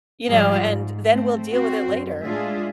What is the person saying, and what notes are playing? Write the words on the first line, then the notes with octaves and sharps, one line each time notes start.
you know, and then we'll deal with it later.
G#2 F3 G3 F4 G#4 D5
G#2
A3 C4
C4 F#4
F#2
A2 G#3 D4 F4 G#4 E5